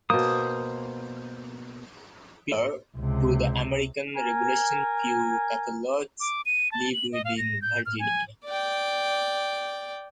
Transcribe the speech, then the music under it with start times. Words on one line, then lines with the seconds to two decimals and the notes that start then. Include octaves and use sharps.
Prior to the American Revolution few Catholics lived within Virginia.
0.10 B2 A#3 C5 D#6
2.98 C#2 C3
4.15 A#4 G#5
6.20 D6
6.46 D#7
6.72 A5
6.93 F#7
7.12 D#5
7.25 F5
7.38 A#6
7.62 G6
7.86 F6
7.99 G#5
8.45 D5 G5